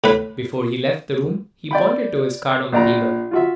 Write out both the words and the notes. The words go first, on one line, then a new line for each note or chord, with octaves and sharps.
Before he left the room he pointed to his card on the table.
A2 B4
D5 G5 B5
A#1 D5 A#5
F4 F#4 E5